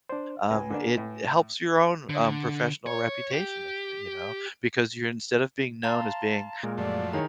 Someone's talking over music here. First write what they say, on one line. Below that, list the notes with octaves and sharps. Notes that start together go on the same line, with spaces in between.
um, it helps your own, um, professional reputation if you know, because you're instead of being known as being
D4 C5 D5
C#2 B4 G#5
D3 A#3 D4
A2
D3
C#5
G4
F5 A5 A#5 C6
A#2 G#3 A#4
F#2 F3 A3 D5
D#3 E4 G#4 C#5 A#5